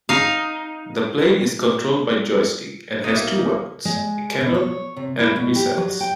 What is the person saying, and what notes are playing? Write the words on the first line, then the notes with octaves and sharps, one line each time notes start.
The plane is controlled by joystick and has two weapons: a cannon and missiles.
D#4 F5
B1 A#3 D#4 E5
G#3
B2
C#5
C3
E4
B2
G4
F#3
G5